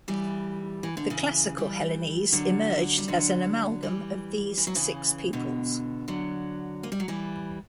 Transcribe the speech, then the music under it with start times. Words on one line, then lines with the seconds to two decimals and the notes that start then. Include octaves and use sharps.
The classical Hellenes emerged as an amalgam of these six peoples.
0.08 E3 G3
0.83 E3
0.97 D3
1.10 C#3 E3
1.58 E3 G3
2.32 D3 F#3
2.98 G3
3.08 D3 F#3
3.83 E3 G3
4.58 E3
4.67 F#3
4.75 C#3 E3
5.33 B2 D3
6.08 D3 F#3
6.83 A#3
6.92 G3
7.00 F#3
7.08 E3 G3